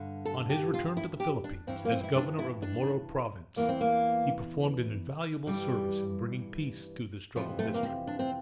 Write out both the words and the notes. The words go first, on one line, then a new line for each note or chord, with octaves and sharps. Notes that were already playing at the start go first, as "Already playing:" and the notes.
On his return to the Philippines, as Governor of the Moro Province, he performed an invaluable service in bringing peace to this troubled district.
Already playing: G2 D3
A4
G4
F4
E4
G4
D4
G2 E3 C4
A#3
C4
E4
D4
E4
D4
E2 E3 A#3
C4
A#3
G2 E3 G3
F2 C3 E3 F3
A3
A#3
C4
D4
C4